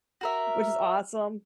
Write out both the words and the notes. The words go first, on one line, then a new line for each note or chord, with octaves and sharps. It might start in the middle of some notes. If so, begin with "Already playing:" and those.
which is awesome,
F#4 A#4 E5